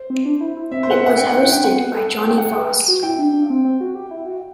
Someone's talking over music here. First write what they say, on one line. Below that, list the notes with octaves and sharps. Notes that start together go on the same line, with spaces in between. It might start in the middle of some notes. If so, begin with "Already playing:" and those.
It was hosted by Jonny Voss.
Already playing: C5
C4
D4
E4
E4
C4 E5
C5
B3 F#5
E5
C4 F#5
D4 G5
E4 F#5
E4 G5
D4 G5
C4 F#5
B3
A4
A4
G4 G5
A4 F#5
G5
B4
F#4
E4 G5
D4
D4
C4
C4
F#4
G4
E4
F#4